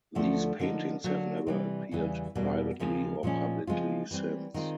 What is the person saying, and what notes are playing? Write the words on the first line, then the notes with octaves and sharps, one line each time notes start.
These paintings have never appeared privately or publicly since.
D2 D3 F3 A3
D3 F3 A#3 D#4
D3 F#3 A#3
C3 E3 G3
E2 C#3 E3 G3
E2 B2 G3 A#3
D#2 C#3 F3 G#3 C4
A#2 F3 G#3 C#4
C#3 F3 G#3 C4 F4
E3 G3 C4
D#3 G#3 C4 F4